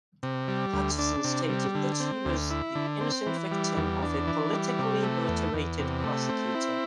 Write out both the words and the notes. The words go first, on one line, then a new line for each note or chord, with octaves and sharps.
Hutchison stated that she was the innocent victim of a politically motivated prosecutor.
C3
G3
D2
D4
C3
G3
D3
C4
D2
E4
D3
C4
E3
G3
E2
D4
E3
G3
C3
A3
E2
E2
C3
A3
C4
E4